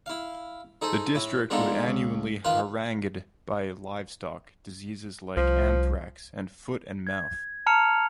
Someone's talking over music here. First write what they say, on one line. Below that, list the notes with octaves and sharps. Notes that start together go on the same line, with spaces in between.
The district with annually harangued by livestock diseases like anthrax and foot and mouth.
E4 F5
D#4 G#4 A4 C5
A2 E4
G#3 B3 D4 D#4 F4 A4
C#2
D#3 F4 B4 F5 C6
C2 F3
G#6
A5 A#5 F6 C#7 F7